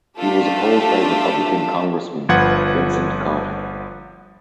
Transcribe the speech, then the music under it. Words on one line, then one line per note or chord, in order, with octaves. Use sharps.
He was opposed by Republican Congressman Vincent Carter.
A3 D4 F4 G4 A4
G1 F3 F4 B4 F#5 G#6